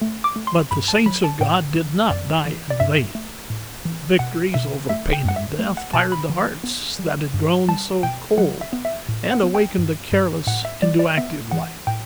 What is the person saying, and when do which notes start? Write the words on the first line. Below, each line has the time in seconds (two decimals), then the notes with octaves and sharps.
But the saints of God did not die in vain; their victories over pain and death fired the hearts that had grown so cold, and awakened the careless into active life.
0.01 A3
0.24 D6
0.36 A3
0.47 C6
0.71 G2 B5
0.88 A5
1.06 F#3 B5
1.24 A5
1.40 A2 G5
1.76 E3
2.10 F#2 D5
2.45 E3
2.70 D5
2.80 G2 E5
3.15 A3
3.50 A2
3.85 E3
4.19 B2 F#5
4.54 B2 E5
4.89 A3 E5
5.13 G5
5.24 F#2 F#5
5.36 E5
5.59 A3
5.77 F#5
5.93 B2 A5
6.12 B5
6.30 E3
6.64 B3
6.99 G3
7.34 G2
7.68 G3 A5
8.03 B2 G5
8.38 F#3 F#5
8.61 E5
8.73 B3
8.85 E5
9.09 A2
9.31 F#5
9.43 B3
9.55 G5
9.78 G2
10.12 G2
10.47 A2 F#5
10.65 E5
10.82 G3 D5
10.99 D5
11.18 B3 E5
11.51 E3 F#5
11.87 A2 G5